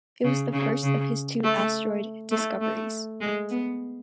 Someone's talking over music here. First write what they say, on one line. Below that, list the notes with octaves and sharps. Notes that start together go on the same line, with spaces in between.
It was the first of his two asteroid discoveries.
C#3
C#3
C#3
A3
A3
A3
G#3
B3